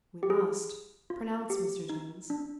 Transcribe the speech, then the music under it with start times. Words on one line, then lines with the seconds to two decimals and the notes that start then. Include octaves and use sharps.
"We must," pronounced Mr. Jones.
0.23 G4
0.30 G#4
1.10 F4
1.50 G4
1.89 D#4
2.30 D4